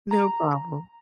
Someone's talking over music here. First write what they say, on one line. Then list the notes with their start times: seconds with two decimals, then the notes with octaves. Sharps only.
No problem.
0.11 A#5